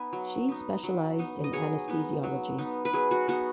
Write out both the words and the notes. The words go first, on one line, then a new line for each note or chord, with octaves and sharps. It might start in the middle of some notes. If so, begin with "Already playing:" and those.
She specialised in Anesthesiology.
Already playing: B3 D#4 B4 G#5
F#3
B3 D#4
F#3
B3 D#4
D#5
F#3 G#4 C#5
B3 D#4
F#3
B3 D#4
B4
F#3 G#4
F#4
B3 D#4 F#4